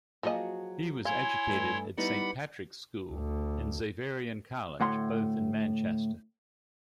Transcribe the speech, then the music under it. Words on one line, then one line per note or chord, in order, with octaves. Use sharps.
He was educated at Saint Patrick's School and Xaverian College, both in Manchester.
F3 F#3 A#3 F#4 G#4 D#5
E4 C#5 F5 G#5 C6
G2 A3
G3 B3 D#4 E4 F#5 B5
D2
D2 A2 F#5 C6